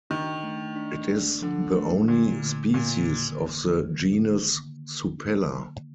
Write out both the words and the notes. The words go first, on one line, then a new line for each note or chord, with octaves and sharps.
It is the only species of the genus Supella.
D#3 D4
A3
D4
D4
D3 F3
A3
A#2 D3
D3
A#2 A#3
D#3